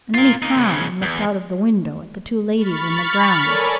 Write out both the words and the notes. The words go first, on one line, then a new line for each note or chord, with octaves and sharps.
And then he frowned and looked out of the window at the two ladies in the grounds.
F4 A#4
A#3 D#4
C2 C#3
E2
B5 C#6 F6 A6
A4 A#4 C#5 D5 G#5